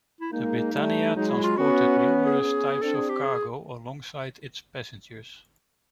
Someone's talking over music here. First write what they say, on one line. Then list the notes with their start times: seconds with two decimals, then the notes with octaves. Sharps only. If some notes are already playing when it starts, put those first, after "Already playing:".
The Britannia transported numerous types of cargo alongside its passengers.
0.21 E4
0.32 G#3 A#3 D#4
0.74 G3 A3
1.15 F#3 G#3 D#4
1.29 E4
1.43 F4
1.57 B3 C#4 F#4
1.99 F#4
2.26 G#4
2.41 B3 C#4
2.82 C4 D4 A4
2.95 G#4
3.10 G4
3.23 G#4